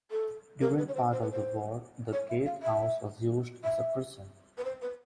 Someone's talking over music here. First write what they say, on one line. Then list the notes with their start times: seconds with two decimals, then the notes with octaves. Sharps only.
During part of the war the gatehouse was used as a prison.
0.11 A4
0.61 A#4
0.78 B4
0.88 C#5
0.95 C5
1.12 C5
1.22 B4
1.31 C5
2.13 C#5
2.29 E5
2.46 F5
2.63 E5
3.64 E5
4.58 B4
4.65 C5
4.82 B4